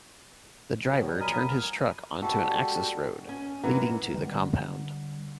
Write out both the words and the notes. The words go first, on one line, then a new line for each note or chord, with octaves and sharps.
The driver turned his truck onto an access road leading to the compound.
B2 F#3 G3 B3
F3 A#4 G#5 B5 D#6
G3 G#3 F#4 A4
C#4
E3 B3 A#4 F#5
D3 G3